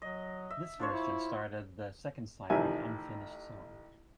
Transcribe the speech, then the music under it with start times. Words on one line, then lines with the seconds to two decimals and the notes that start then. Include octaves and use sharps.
This version started the second side with "Unfinished Song".
0.02 F#3 D#5
0.50 E5
0.80 F3 D4 C5 C#5
0.93 E4
2.50 A1 C3 D#3 F3 E5 G#5